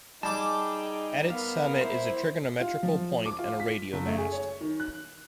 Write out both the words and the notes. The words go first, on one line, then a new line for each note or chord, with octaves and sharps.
At its summit is a trigonometrical point, and a radio mast.
G3 D#4 G#4 G5 A5 D6
B3 A#4 F5
E4 C5
F4
F3
D6
F4
B6
F#1
A3
G#4
C#5
D#3
F#6